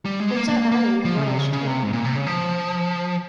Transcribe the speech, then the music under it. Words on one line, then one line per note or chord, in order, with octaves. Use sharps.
And so early in the voyage, too.
G3
G#3
A#3
A#3
A#3
F3
C#3
C3
C#3
C#3
C3
G#2
A#2
C3
C#3
F3